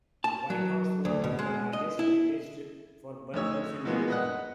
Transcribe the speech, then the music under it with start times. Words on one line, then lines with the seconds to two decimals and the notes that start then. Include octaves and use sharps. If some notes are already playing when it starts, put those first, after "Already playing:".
Whitehorse Road is the largest retail strip for bulkgoods in Melbourne.
0.24 A5
0.50 F#3
1.05 D2
1.24 B2
1.39 G#3
1.73 D#5
1.99 E4
3.34 D2 D#4 C#5 E6
3.85 B2 E3 F3 G#3 A#3 B3
4.08 B4 D#5 F#5